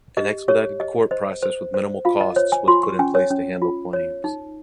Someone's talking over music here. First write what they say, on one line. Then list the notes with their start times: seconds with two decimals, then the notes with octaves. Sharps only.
An expedited court process with minimal costs was put in place to handle claims.
0.17 G4 D#5
0.48 G4 C#5
0.80 G4 D#5
1.11 C5 D#5
1.43 C5
1.74 C5
2.05 F4 F5
2.21 D#5
2.36 C5 C#5
2.52 G#5
2.68 F4 C6
2.83 C#6
2.99 C#4 G#5
3.15 C#5
3.30 C#4
3.62 F4
3.93 C#5
4.24 D#4